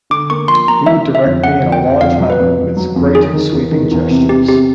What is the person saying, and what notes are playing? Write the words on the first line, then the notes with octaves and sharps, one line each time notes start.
He would direct me in a large manner with great sweeping gestures.
D3 D6
A#3 C#6
F3 C6
A#3 A#5
F#3 E5
D3
E5
F2
D3 F#5
F2
G5
F2
F2 F5
F#3
B4
F2
F2
F#3
F2
D#3 G#4
D#3
E2
D#3
E2
C3
C3 G4
C3 G4